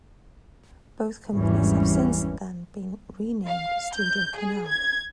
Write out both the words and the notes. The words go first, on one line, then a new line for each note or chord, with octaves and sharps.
Both companies have since then been renamed StudioCanal.
G#1 E2 E3 G3 C#4
F5
G6
G#4
G#6